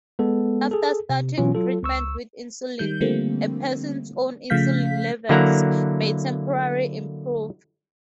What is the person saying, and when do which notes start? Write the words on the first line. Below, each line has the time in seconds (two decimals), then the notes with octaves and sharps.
After starting treatment with insulin a person's own insulin levels may temporarily improve.
0.19 G#3 B3 A4
0.71 G#4 A4
1.10 C3
1.38 B2 E3 F#3 C#4 F4
1.55 F#3 F4 A4
1.83 C#2 C#6 E6
2.79 D#3 G3 G6
3.01 D3 F3 G3 A3 A#3 C4
4.50 C#3 F3 A3 F5 G6 B6
5.29 D3 F#3 A#3 E4 F#5 A#5